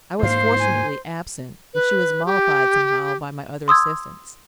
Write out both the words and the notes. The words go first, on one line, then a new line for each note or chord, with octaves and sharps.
I was fortunately absent, and she was mollified somehow by my other assistants.
G#2 A#3 C5 F5
G#5
B4
G4
C6 D#6 E6 G#6